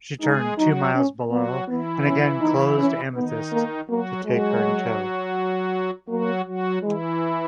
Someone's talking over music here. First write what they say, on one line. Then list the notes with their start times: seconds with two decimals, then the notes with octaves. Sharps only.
She turned two miles below and again closed "Amethyst" to take her in tow.
0.21 G#3 D#4 G#4
0.58 F#3 D#4 F#4
0.95 C#4
1.31 F#3 B3 F#4
1.68 E3 B3 E4
2.05 C#4
2.41 D#4
2.78 C#4
3.14 D#3 B3 D#4
3.52 A#3
3.88 F#3 A#3 F#4
4.25 F#3 G#3 F#4
6.09 F#3 A#3 F#4
6.45 F#3 F#4
6.82 E3 G#3 E4